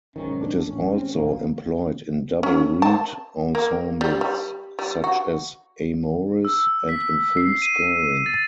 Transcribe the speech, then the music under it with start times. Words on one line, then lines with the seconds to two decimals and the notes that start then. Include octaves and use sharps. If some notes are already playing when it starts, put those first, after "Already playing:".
It is also employed in double-reed ensembles such as Amoris, and in film scoring.
0.16 B1 G#2 D#3 C#4
0.40 D4
0.68 A1 C#4
0.95 C4
1.15 A1 D2 A#3
2.43 C#4
2.82 A5
3.55 A#3
4.01 G3
4.21 G3
4.79 G3
5.04 F#4
6.45 E6
6.89 B6
7.37 C7
7.62 D#7
8.26 A6